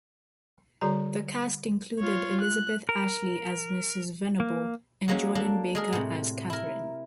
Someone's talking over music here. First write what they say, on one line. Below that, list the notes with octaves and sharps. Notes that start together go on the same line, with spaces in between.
The cast included Elizabeth Ashley as Mrs. Venable and Jordan Baker as Catharine.
D3 G3 F#4 G#4 C#5 A#5
F4 C#5
F#6
A#4
A#3
F#3 G#3 A#3 C#4 C#5
A#3 D4 A4
G#3 G#4 A#4
A2 C3
E4 A#4